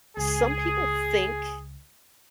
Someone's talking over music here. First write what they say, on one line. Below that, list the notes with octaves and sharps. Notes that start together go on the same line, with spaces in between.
some people think
C#2 G#4